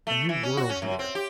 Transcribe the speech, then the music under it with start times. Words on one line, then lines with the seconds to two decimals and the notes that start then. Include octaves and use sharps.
A new world here.
0.07 A3
0.29 E3
0.43 C#4
0.57 F#4
0.69 C#4
0.82 F#2
0.99 C4
1.15 G4